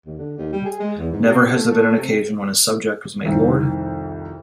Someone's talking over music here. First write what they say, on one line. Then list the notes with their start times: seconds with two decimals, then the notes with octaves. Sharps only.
Never has there been an occasion when a subject was made lord.
0.06 D#2
0.18 D3
0.38 D#2
0.53 G3
0.65 G#4
0.80 G#3
0.98 E2
1.12 G#2
1.26 C3
1.53 A3
1.72 A3
1.97 C3
3.25 C2 F2 C3 D#3